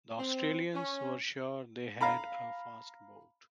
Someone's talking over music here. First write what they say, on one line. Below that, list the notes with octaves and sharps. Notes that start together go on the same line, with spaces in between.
The Australians were sure they had a fast boat.
C4
C#4
F5 A#5 B5